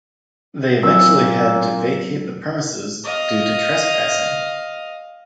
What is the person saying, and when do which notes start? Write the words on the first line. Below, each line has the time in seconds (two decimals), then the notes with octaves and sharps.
They eventually had to vacate the premises due to trespassing.
0.83 A#2 F#3 C4 E4 E6
3.04 D#5 F5